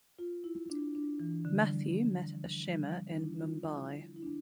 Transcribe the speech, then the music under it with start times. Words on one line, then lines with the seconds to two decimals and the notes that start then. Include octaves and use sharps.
Matthew met Ashima in Mumbai.
0.19 F4
0.44 E4
0.70 D4
0.95 D4
1.20 E3
1.45 D3
1.61 G3
1.70 F3
2.67 G3
2.71 F3
3.17 D4
3.22 E4
3.39 F4
3.56 F4
3.73 E4
4.16 E4
4.23 D4